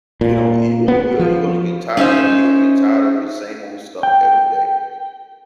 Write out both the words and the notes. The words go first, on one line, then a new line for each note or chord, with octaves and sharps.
You know, you really will. You're gonna get tired of it. You're gonna get tired of the same old stuff every day,
A#2
B3
F3
C#4 D#4 C5 E5
G5